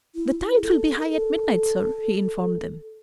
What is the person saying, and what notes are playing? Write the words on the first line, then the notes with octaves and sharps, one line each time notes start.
"The tide will be high at midnight, sir," he informed them.
E4
E4
G#4
A4
A#4
A4